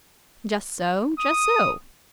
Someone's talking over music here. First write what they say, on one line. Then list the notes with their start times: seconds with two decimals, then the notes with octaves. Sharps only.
'Just so, just so.
1.19 D#6